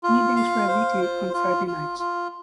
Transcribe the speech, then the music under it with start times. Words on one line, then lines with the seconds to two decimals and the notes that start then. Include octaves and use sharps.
Meetings were weekly on Friday nights.
0.03 F4
0.36 F5
0.68 C5
1.01 F4
1.34 F4
1.67 F4
1.99 F4